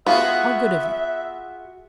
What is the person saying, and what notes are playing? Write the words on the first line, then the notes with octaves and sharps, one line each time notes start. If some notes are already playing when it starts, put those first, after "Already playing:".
How good of you!
B3 F4 F#4 G#4 E5 F5